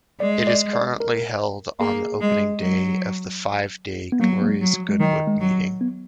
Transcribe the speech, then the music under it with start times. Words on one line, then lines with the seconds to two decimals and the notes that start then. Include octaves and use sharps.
It is currently held on the opening day of the five-day Glorious Goodwood meeting.
0.20 G#3 D5
0.47 D5
0.73 D5
1.00 A#4
1.80 A#3 G#4
2.21 G#3
2.60 F#3
4.12 B3
4.20 F#3 A#3
4.42 A#3
4.46 G#3
4.61 F#3
4.74 F#3
4.89 G#3
5.00 D#3 F#3
5.27 G#3
5.40 F#3
5.81 B3